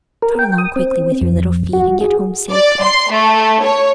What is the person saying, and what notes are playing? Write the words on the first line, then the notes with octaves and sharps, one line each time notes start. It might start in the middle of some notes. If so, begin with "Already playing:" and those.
Trot along quickly with your little feet, and get home safely.
A#4
G5
D#6
C4
F2
F#4
G#4
D5
C6
A3
C#5